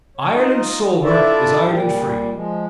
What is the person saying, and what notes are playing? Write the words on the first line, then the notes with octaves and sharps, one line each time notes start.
Ireland sober is Ireland free.
C#5
D#4 F4 D#5
D4 E4 F4 A4 D5 E5
A#2 G3
F3 G#3